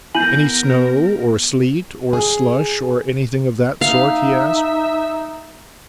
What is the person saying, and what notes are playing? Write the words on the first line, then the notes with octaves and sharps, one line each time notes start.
'Any snow, or sleet, or slush, or anything of that sort?' he asked.
B3 E4 A#4 G#5 G6 D#7 F#7
G#4
D#4 E5 F5